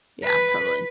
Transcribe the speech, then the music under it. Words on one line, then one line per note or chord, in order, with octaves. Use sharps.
Yeah, totally.
B4